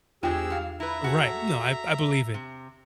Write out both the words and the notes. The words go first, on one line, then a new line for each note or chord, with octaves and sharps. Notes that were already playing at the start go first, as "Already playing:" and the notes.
Right, no, I b I believe it,
E2 G#3 C4 F4 G4 G#4 G5 E6
G2 F5
E4 B4 E5 A#5
F#4 G#4 A4
C3